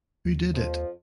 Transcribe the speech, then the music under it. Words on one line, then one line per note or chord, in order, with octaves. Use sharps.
Who Did It?
D#2
F2 F3